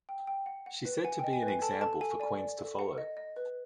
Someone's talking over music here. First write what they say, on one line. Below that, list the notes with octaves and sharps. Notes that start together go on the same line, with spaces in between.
She said to be an example for queens to follow.
G5
G5
F#5
F#5
B4
F#5 G#5
G5
D#5
G#5
B4
G#5
A4 A5
A4 A5
A4 G#5
D5 G#5
D5
A4
F#5
D#5
D#5
B4